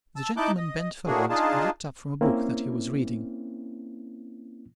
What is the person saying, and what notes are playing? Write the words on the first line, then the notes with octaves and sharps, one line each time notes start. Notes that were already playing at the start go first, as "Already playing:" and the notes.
The gentleman bent forward, and looked up from a book that he was reading.
A5 E6
D#4 E4 A5 D6 F#6 G6
D#5
A2 A3 A#3 D4 F#4 G#4
D4 D#4 F4 G#4 A5
A#3 C4 C#4 E4